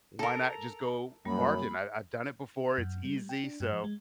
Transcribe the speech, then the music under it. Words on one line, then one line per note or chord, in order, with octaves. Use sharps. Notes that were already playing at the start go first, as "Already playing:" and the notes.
why not just go bartend? I I've done it before, it's easy," so,
A4 A#4 A#5
F#2 G3 A#3 B5
F#2
G3
G3
G5
D4
G2
F3
G#3